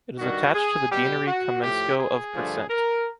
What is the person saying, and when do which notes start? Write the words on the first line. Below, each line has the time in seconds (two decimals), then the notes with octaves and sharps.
It is attached to the deanery Kamenskoe of %.
0.18 G2 D#3 G3 F#4
0.54 G#4
0.90 B2 G3 G4
1.27 F#4
1.62 A2 F3 A3 G4
1.98 G#4
2.34 G2 D3 F3 A3
2.70 A#4